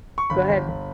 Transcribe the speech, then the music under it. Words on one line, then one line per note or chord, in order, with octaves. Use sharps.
Go ahead.
C#6
G1 B5
G1
G1